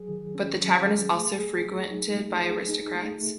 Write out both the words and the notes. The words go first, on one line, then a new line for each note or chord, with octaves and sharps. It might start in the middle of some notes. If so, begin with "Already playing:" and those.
But the tavern is also frequented by aristocrats.
Already playing: F#3 G#4
D#3
C#4
F#3
G#4
A3
G#4
F#3
D#4
A3
G#4
D#4
A3
A3